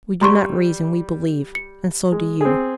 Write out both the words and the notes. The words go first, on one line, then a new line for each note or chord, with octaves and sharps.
We do not reason--we believe; and so do you.
G3 A#5 C6 C#6
C#7
G#3
C4 G#4